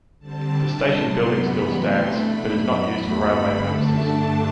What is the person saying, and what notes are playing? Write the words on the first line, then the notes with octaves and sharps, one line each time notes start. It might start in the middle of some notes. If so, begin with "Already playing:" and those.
The station building still stands, but is not used for railway purposes.
D3 G3 C4 A5
C3 G3 D4
C3 F#3 B3 C6
F#2 E3 G3 B3 B5
C3 E3 A3 C4 C6
B2 A3 D4 B5
F#2 F#3 B3 B5
E2 B2 A3
G2 D3 A3 C4
F#2 D3 A3 D4 A5
G2 D3 A3 D4 A5